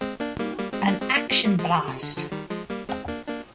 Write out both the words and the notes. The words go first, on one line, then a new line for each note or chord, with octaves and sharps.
An Action Blast!
G#3 C4
A#3 D4
G3 A#3
G3 A#3
G#3 C4
A#3 D4
G#3 C4
A#3 D4
G#3 C4
G3 A#3
F3 G#3
C3
D3
D3 F3
D#3 G3
F3 G#3
G3 A#3
G#3 C4
A#3 D4
A#3 D4